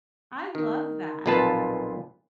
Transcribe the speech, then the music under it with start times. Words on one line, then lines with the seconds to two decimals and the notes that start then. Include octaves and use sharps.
I love that,
0.55 D#3
1.26 B1 F2 A#2 F4 B4 A5